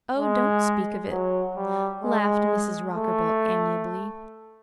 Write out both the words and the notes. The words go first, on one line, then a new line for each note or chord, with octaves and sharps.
"Oh, don't speak of it," laughed Mrs. Rockerbilt, amiably.
G#3
F#3
G3
G#3
A3